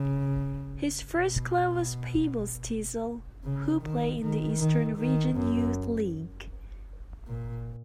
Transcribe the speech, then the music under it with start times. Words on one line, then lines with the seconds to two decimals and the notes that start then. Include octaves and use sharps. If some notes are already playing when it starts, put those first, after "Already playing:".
His first club was Peebles Thistle, who play in the Eastern Region Youth League.
Already playing: C#3
1.12 B2
3.44 C#3
3.82 D#3
4.20 D#3
4.59 D#3
4.98 D#3
5.36 F#2
7.27 A#2